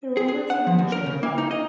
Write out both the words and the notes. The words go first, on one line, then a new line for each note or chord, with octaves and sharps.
The Romans eventually followed.
G#4
G#4
F#5
F3
D#2
A#4
C#3
A#3
D#4
D#5